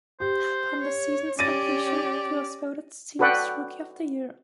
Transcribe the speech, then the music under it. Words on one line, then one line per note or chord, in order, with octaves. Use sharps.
Upon the season's completion, he was voted the team's rookie of the year.
G4 C5
C#5
C#4 G4 D5 A6 A#6 D#7
F#4 A4 B4 D5 F#5 G5